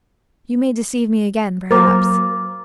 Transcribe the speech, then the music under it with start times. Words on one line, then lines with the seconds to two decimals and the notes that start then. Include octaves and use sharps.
You may deceive me again, perhaps.
1.71 F#3 A#3 A#4 C5 D6 A6